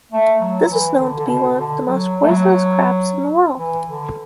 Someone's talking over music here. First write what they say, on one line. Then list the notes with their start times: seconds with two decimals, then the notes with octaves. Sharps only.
This is known to be one of the most poisonous crabs in the world.
0.12 A3
0.41 F#3
0.69 E3
0.98 D3
1.18 D3
1.27 B2
1.56 D3
1.85 F#3
2.23 A3
2.28 F#3
3.58 E3
3.87 D3